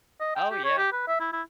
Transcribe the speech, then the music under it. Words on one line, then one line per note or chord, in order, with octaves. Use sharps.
Oh, yeah.
D#5
G5
G4
C#5
G4
B4
E5
E4
E4